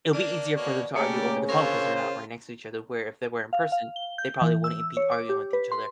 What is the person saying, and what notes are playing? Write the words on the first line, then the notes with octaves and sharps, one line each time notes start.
it'll be easier for them to argue over the phone 'cause they're not right next to each other, where if they were in person they probably wouldn't be arguing with each other
A#3 D4 D5
B2 A#3 C#5
C#3 A3 A#3 G4 A4 A#4 D5
D3 F3 A#4 C5 C#5 F5
F4
F5
F5
G7
G6
E3
E6
C#5
D6
G4
B4
C6